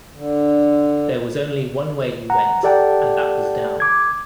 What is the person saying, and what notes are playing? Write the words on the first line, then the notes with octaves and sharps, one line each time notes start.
There was only one way you went and that was down.
D3
F#5 A#5
G4 A4 D5 F#5 G5 A5
D6 G#6